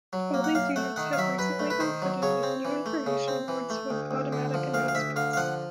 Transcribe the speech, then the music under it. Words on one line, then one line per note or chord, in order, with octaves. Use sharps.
All these units have recently been fitted with new information boards with automatic announcements.
F#3
A#3
F#5
F#2 F5
A3 F#5
D#3 F#5
F5
F#3 E5
F#2 B4
A3
B4
D#3 C5
F#3
C#3 C#5
C4
E3
A3
C#3
C4
E3
A3
D2
D2
D3
F3
D2 F5
F5
D2 E5
D3 F5
F5
F3 F#5